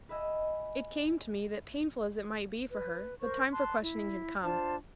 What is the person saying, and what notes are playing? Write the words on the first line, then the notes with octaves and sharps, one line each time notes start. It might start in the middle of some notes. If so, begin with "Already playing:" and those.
It came to me that painful as it might be for her the time for questioning had come.
B4 D#5 E5 G#5
B4
A#4 C5 C#6
A5 C6 F#6
E4
D4 F4 C5 A5